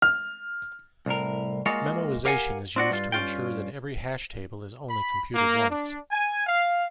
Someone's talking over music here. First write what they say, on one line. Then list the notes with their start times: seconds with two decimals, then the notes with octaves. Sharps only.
Memoization is used to ensure that every hash table is only computed once.
0.02 F6
1.06 C2 A2 A#4
1.66 G#3 A#3 F4 F#4 C#5
2.25 G4 A#4 F5 F#5 G#5
2.76 C4 D4 F#4
2.91 G2 F4
3.12 G2 C#4 F4 G5
4.90 B5
5.35 A#3
5.69 D4
6.11 G#5
6.46 F5